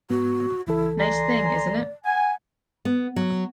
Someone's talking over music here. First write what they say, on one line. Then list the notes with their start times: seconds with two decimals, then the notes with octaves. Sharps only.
Nice thing, isn't it?
0.10 G#2 B3 F#4
0.67 C#2 E3 E4 A4
0.99 D5 G#5 A#5 C6
2.05 F#5 G#5
2.85 B3
3.16 F#3